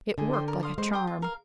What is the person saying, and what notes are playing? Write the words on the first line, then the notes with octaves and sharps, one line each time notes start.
It worked like a charm.
D3 G#4
C5 G5 C6
A#4
F5 C6 D#6
G#3 C5
G5 C6 D#6
F4
A#4 F5